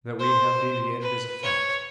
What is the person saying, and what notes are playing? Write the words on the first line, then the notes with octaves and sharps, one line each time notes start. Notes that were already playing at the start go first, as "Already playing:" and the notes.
That we have deviated is a fact.
C5
B4
C#5